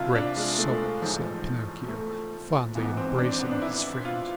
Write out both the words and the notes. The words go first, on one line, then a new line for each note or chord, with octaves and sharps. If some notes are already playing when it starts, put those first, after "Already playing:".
"Great soul!" said Pinocchio, fondly embracing his friend.
Already playing: C2 C3 F3 E4 F4
D4
G#3
A3
A1 G#2 F3
A3
G#1 G#2 E3 B3
C4
D4
C4
B3
D4
E4
F4